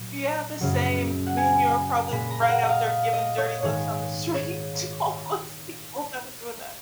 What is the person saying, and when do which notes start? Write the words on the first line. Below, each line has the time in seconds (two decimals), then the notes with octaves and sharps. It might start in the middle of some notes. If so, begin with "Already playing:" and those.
Yeah, the same, me and you are probably right out there giving dirty looks on the street to all those people that are doing that.
Already playing: A#2 F#3
0.61 F#2 C#3 F#3
1.27 F#5
1.37 G#5
2.11 A#2 G#3 B5
2.31 A#5
2.42 F5
2.49 F#5
2.63 D#5
2.69 F5
3.13 D#5
3.38 C#5
3.62 G#2 D#3 G#3 C#5
4.34 C#5